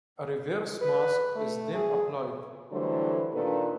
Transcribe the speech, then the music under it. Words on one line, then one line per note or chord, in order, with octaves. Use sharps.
A reverse mask is then applied.
B4
A3
G#4
D3 E3 F#3 G3 A3 C5
A#2 D#3 A#3 D4 A4 B4